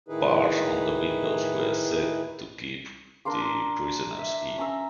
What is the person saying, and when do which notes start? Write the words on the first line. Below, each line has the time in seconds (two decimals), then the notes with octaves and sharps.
Bars on the windows were set to keep the prisoners in.
0.08 A2 D#3 D#4 E4 G#4 B4
3.25 D4 A#4 C6 D6
3.41 C6
4.18 E5
4.58 C#4 A#5 E6